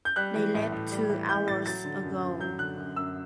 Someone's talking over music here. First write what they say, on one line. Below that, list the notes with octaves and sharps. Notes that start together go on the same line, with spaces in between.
They left two hours ago!
G6
G3 F#6
E3
A2
A2
G3
E3
A2 G6
A2 A6
F#3 A6
D3
F#2
F#2
F#3 G6
D3 F#6
F#2
F#2 E6